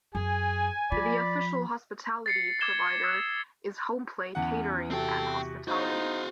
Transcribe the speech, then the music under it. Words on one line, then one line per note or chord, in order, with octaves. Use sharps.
The official hospitality provider is HomePlate Catering and Hospitality.
F#2 G#4 G#5
F3 D5 B5
A6 C7 C#7
D6 G#6 A6 E7 G7
D#6 E6 B6
E2 B3 C#4 F#5
C3 C4 F#4 A4 G5
B3 D#4 F#4 G#4 C5 F5